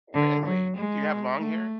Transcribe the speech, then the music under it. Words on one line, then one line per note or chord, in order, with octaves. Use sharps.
Really? Do you have long hair?
D3
F#3
G#3
A3